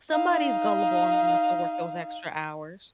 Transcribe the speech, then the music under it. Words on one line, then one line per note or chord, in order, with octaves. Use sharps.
somebody's gullible enough to work those extra hours.
D#4 F5